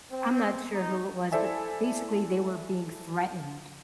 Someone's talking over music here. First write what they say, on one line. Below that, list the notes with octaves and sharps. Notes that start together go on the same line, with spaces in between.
I'm not sure who it was, but basically they were being threatened.
C4
D#4
E4 A4 C5 D5 E5 G#5